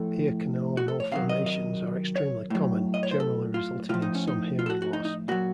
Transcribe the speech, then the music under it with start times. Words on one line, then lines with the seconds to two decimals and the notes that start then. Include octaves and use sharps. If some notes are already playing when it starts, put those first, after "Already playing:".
Ear canal malformations are extremely common, generally resulting in some hearing loss.
Already playing: A2 F3 A4
0.77 F#4
0.88 A4
1.00 C#5
1.11 C3 D#3 F#3 F5
1.29 D#5
1.46 D#5
2.16 C#5
2.50 A2 F#3
2.94 D#5
3.03 C#5
3.11 C5
3.20 A4
3.54 F4
3.89 A2 F3 F4
4.02 D#4
4.15 C#4
4.28 D#4
4.59 F4
4.66 A4
4.70 F#4
4.82 F#4
4.93 D#4
5.05 D#4
5.28 A#2 F#3 F#4